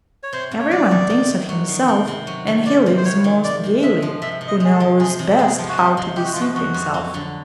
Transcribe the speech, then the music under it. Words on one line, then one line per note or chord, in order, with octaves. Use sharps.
Everyone thinks of himself, and he lives most gaily who knows best how to deceive himself.
C#5
C3 C5
C3
C#5
F#3 D5
D#3
C3
C3
F#3
D#3
C3
C3
F#3
D#3
C3 D5
C3
C5
F#3 C#5
D#3
C3 D5
C3
G#3 E5
F3
C3 E5
C3
D#5
G#3 G#4
A4
F3
C3 G#4
C3
A4
G#3 G#4
F3
F#4
C3 G4
C3
G#3 G4
F#4
F4
F3 F#4
F2 F#4
F2
F#3
D3